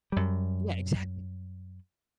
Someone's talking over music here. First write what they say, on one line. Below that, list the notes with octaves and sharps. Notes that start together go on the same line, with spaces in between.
Yeah, exactly.
F#2 G3